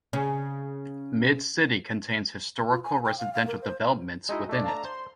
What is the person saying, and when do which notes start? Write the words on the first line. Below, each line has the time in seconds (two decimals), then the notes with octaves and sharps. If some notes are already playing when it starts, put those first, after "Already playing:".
Mid-City contains historical residential developments within it.
0.13 C#3 C#4
2.70 F4
2.84 G#5
3.05 G5
3.18 F5
3.33 F5
3.47 A#4
3.62 C5
4.29 G#3 D#4 E4 F#4 D#5
4.49 A3 D4
4.64 F5 A5 A#5
4.85 C5 C6